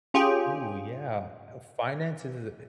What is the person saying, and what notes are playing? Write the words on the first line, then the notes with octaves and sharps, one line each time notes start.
Ooh, yeah. Uh, finance is is a
C#4 F4 G4 G#4 G5